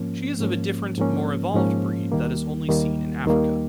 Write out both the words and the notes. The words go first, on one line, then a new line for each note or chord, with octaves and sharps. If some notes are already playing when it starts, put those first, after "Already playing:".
She is of a different, more evolved breed that is only seen in Africa.
Already playing: G#2 F3 A#3 C#4
G#2 F3 A#3 C#4
G#2 F3 A#3 C#4
G#2 F3 A#3 C#4
D#2 D#3 G3 A#3
D#2 D#3 G3 A#3
D#2 D#3 G3 A#3